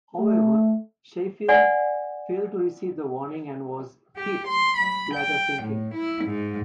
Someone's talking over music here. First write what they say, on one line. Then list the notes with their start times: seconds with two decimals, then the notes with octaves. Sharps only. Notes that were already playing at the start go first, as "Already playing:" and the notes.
However "Sheffield" failed to receive the warning and was hit, later sinking.
0.20 A3
1.48 D5 F#5 G#5
4.16 G4
4.49 C6
4.77 B5
5.14 G5
5.63 A2
5.93 E4
6.24 G#2